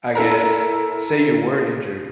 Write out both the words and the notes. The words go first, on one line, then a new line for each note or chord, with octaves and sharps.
I guess say you were injured,
E4 A4 A#4 A#5